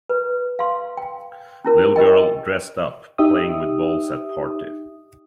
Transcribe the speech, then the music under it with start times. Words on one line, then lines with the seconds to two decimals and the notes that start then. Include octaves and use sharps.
Little girl, dressed up, playing with balls at party.
0.09 B4
0.59 F5 C6
0.97 G5
1.65 C#4 E4 A#4
1.96 G4 A#4 D#5 G5
3.18 D#4 G4 E5 D#6